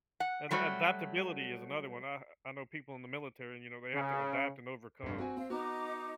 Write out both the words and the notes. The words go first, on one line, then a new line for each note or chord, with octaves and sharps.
And adaptability is another one, I I know people in the military, you know, they have to adapt and overcome.
F#5
F#3 G3 A3 F#4
C#3
F1 G2
C4 F#4 G#5
C4 F5
B3 D#4 F#4 A#5 D6